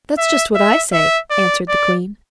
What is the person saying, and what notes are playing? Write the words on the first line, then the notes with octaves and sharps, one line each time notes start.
"That's just what I say," answered the queen.
E5
E5
E5
D5
D5